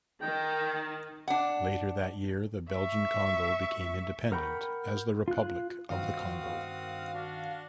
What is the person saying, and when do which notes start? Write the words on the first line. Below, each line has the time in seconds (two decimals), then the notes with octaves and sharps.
Later that year the Belgian Congo became independent as the Republic of the Congo.
0.22 D#3 G5
1.28 D4 F#5
2.70 E5 C#6
4.32 A#4 F#5 G5 B5 C#6
5.28 F4 F#6
5.90 G2 D#3 C4 F#4 F5 D#6
7.14 D4 F#4